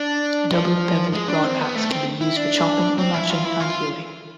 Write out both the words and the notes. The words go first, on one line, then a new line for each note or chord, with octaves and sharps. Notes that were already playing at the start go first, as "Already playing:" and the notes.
A double beveled broad axe can be used for chopping or notching and hewing.
Already playing: D4
F3
G#3
D4
C4
B3
A3
C4
E4
D4
C4
E4
F4
E4
F4